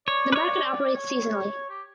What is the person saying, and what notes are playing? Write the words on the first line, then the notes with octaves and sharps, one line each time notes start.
The market operates seasonally.
C#5 D5
B4
C#5
C#5
G4